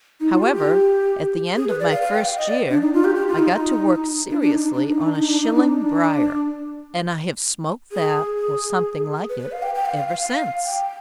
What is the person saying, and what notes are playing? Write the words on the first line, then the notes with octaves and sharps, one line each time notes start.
However, at the end of my first year I got to work seriously on a shilling briar, and I have smoked that, or something like it, ever since.
D#4
F4
G4
G4
G#4
B4
D5
F5
F5
G5
F5
D#5
D5
D4
D#4
F4
G4
G4
F4
D#4
D4
D4
D#4
D4
D#4
D4
D#4
D4
D#4
D4
D#4
D4
G#4
G#4
B4
B4
F5
G5
G5
F5
F5
F5
F5
G5